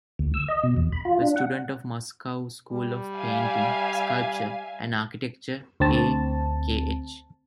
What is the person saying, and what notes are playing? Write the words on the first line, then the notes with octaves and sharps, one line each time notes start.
A student of Moscow School of Painting, Sculpture and Architecture A. Kh.
D2
E6
D#5
B2
E2
B5
F4
D4
F#5
G3
E5 F5 G#5
D2 C4 A5